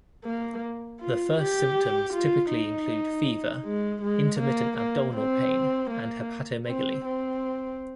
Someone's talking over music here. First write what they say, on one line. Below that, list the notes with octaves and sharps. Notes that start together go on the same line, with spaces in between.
The first symptoms typically include fever, intermittent abdominal pain, and hepatomegaly.
A#3
F4
G4
F4
D#4
G#3
G#3
A#3
A#3
C4
A#3
C4
C4